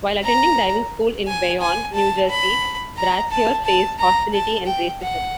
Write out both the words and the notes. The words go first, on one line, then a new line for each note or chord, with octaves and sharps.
While attending diving school in Bayonne, New Jersey, Brashear faced hostility and racism.
A#5
G#5
G#5
A5
B5
A#5
A5
A5
A#5
A5
G5
F#5